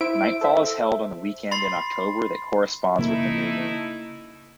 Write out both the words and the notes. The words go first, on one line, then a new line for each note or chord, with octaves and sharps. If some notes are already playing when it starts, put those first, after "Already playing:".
Nightfall is held on the weekend in October that corresponds with the new moon.
E4 C5 E5 D7
A4 C5 E5
B5 C6 A6 C7
C#3 A3 A#3 D#4 E4